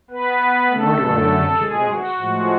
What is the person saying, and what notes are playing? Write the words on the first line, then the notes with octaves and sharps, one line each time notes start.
Nor do I think it was.
B3 B4
A3 A4
F#2 D3 F#3 A3
G#3 G#4
F#4
A2 F3 G#3